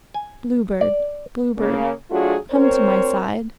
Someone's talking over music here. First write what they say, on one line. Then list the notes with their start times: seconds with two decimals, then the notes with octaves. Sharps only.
"Blue Bird, Blue Bird, Come to my side."
0.14 G#5
0.81 D5
1.57 C#3 A#3
2.10 F#3 A3 D4 F4 F#4 G#4
2.51 D2 C4 A#4 C5 C#5